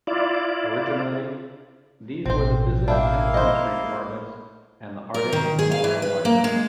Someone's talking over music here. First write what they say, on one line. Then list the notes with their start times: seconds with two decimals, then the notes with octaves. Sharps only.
Originally these were the physics and chemistry departments, and the Harding Memorial Library.
0.07 E4 F4 D5
2.26 A1 B2 C4 C5
2.88 A#3 D4 E4 E5 F5 G5
3.34 C5 D#5
5.14 A#4
5.33 D#3
5.59 G#4
5.72 F5
5.84 E3
6.02 B4
6.25 A#3
6.44 G#3